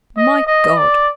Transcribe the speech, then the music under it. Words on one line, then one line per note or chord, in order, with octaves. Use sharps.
My God!
D#5
D#5
D5